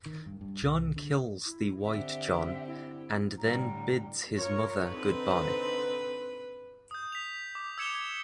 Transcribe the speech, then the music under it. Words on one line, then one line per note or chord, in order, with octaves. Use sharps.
John kills the white John and then bids his mother goodbye.
D#3
G2
G2
C2
D3
E4
D3 C4 G4 E5
E4
A2 D3 G3 A#5
F4 A#4 C#5
D3 C4 D#4 B4
D#6 G6
B6 F7
D6
E6 G#6 C#7 E7 F7 G7
G#6